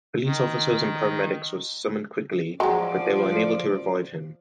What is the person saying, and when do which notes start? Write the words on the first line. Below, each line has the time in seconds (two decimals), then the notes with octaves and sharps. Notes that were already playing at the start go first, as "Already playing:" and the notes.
Police officers and paramedics were summoned quickly, but they were unable to revive him.
0.25 D#3
2.60 F3 F#3 G#3 D5